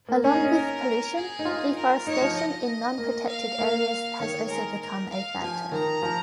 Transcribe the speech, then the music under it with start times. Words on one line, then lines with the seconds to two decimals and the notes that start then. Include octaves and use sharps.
Along with pollution, deforestation in non-protected areas has also become a factor.
0.09 A#3
0.23 C#4 G#4
0.34 D#4
0.45 C#4
0.54 A#4
1.16 G#4
1.39 D#4
1.45 F4
1.76 A#4
2.07 D#4 C#5
2.22 F3
2.36 D#5
2.98 A#3
3.28 F5
3.58 A#3
4.20 D#3 C#5
4.50 G#3 A#4
4.80 A#4
5.12 F5
5.42 F3 G#5
5.72 D#3 A#5
6.02 F3